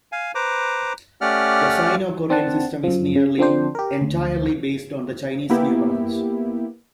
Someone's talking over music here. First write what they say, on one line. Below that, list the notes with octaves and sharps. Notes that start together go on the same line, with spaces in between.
The Sino-Korean system is nearly entirely based on the Chinese numerals.
F5 G#5
B4 C5 A#5 D6
A3 C#4 G4 D5 F#5 F6
C4 D4 F#5 A5
F#2 F3
C#3
D3 F3 C4 D4 C5
G4 A#4
D2
A#3 B3 E4 G4